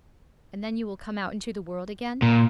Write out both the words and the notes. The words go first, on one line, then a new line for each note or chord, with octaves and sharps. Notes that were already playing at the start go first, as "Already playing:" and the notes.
'And then you will come out into the world again?
A#2